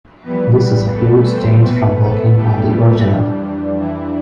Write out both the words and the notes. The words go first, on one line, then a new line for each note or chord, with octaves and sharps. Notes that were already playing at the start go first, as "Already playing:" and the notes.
This is a huge change from working on the original.
F2 E3 G3 B3 B4
A3 A4
C4 C5
E2 B2 A3 B3 B4
A3 A4
G3 G4
F2 E3 G3 D4
E3 E4